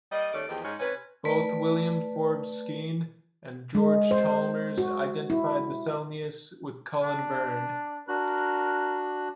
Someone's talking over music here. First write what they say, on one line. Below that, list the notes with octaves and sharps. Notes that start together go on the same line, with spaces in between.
Both William Forbes Skene and George Chalmers identified the Celnius with Cullen Burn.
G3 A#3 D#5
D#2 A3 C#4 D5
E2 D#3 F3 G4 G#4
G#2 G#3 C#4 C#5
C3 C#4 B4
A3 B4 D5
G#3
C5
F#4
E4
D4
D4 F#4 A#4 F#6